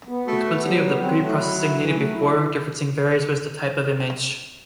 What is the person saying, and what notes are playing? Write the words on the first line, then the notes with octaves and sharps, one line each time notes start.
The complexity of the pre-processing needed before differencing varies with the type of image.
B3
A3 F#4
B3
F#3 G3
B3
F#3 C4
A3
E4
E4
E3
A3
E4
E3